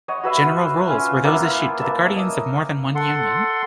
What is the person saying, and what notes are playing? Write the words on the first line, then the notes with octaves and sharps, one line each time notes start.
General Rules were those issued to the Guardians of more than one Union.
C#5 D#5 F#5
F#4 B4 E5 F5
C#4 F4 G#5
A#3 B3 E4 F4
A#3 E5 A5
D#5
A4 F#5 C6